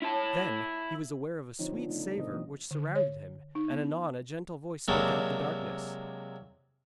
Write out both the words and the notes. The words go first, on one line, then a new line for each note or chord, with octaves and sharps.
Then he was aware of a sweet savour which surrounded him, and anon a gentle voice spoke out of the darkness.
E4 A5
D3 F3 C4 D#4 C#5
B3 D4 D#4 F4
C#3 A3 D4 D#4
B2 D3 C4 A#4 D#5
E3 F#3 A#3
D3
C#5
D#4
B3
C3 F#3 G#3 A#3 C4 D4